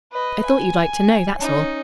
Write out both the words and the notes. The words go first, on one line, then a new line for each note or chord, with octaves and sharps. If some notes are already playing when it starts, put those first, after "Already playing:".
I thought you'd like to know, that's all.
B4 D#5
G#5
C#4 D#4